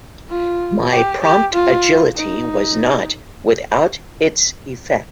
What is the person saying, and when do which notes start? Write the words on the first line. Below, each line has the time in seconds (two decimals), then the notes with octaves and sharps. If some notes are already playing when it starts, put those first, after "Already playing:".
My prompt agility was not without its effect.
0.29 F4
0.91 G4
1.22 G4
1.53 F4
2.15 D#4